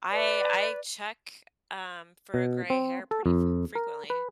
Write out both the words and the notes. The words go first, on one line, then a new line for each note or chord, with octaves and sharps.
I I check, um, for a gray hair pretty fre frequently.
B4 D5
B2
C4
A4
F2
A#4
B4